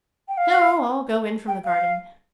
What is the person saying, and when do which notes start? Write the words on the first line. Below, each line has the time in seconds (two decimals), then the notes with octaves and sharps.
"No, I'll go in from the garden."
0.28 G5
0.38 F5
1.48 G5
1.65 F5